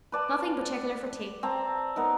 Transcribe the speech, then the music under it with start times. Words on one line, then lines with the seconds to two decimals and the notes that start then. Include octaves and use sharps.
Nothing pertikeler for tea.
0.12 B4 D5 A5
1.43 C4 A5 A#5
1.96 B3 D#4 A#4